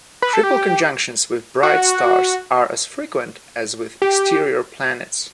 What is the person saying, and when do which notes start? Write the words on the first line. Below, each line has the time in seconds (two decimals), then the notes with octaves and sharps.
Triple conjunctions with bright stars are as frequent as with exterior planets.
0.22 B4
0.33 A4
0.43 G4
1.63 F#4
4.02 G4